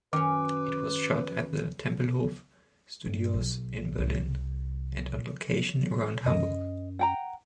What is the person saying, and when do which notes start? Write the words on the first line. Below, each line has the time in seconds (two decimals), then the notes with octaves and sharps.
It was shot at the Tempelhof Studios in Berlin and on location around Hamburg.
0.13 F#2 D#3 C#4 B4 D6
3.05 G2
3.34 B1
3.98 C2
6.26 F#2 D#5
6.99 F#5 G5 A#5